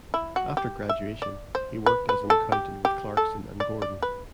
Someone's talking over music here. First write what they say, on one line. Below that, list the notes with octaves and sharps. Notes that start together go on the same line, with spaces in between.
After graduation, he worked as an accountant with Clarkson and Gordon.
E4
F#4
G4
E5
D5
C5
B4
B4
A4
G4
G4
A4
D5
D5
B4